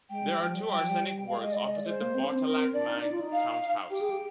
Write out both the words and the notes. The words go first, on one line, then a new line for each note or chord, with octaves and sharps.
There are two arsenic works opposite the Botallack Mine count house.
G#3 G5
G3
F3
G3
G3 G5
F3
G3
G#3 F5
D#5
D5
D#5
D#5
D5
G#3 C5
A#3
C4
D4
C4
A#4
D4 D5
D#4
D#4
F4
D#4
F5
G4 G5
G#4
G4